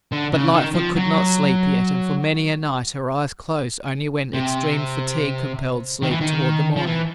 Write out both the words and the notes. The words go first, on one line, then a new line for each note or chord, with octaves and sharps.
But Lightfoot could not sleep yet and for many a night her eyes closed only when extreme fatigue compelled sleep toward the morning.
D3
C#3
D#3
F3
F#3
C3
D#3
E3
D#3
F3
E3